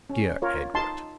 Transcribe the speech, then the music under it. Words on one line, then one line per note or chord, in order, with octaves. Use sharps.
"Dear Edward!"
C#4
F4 A#4 C#5
D#4 A5 C6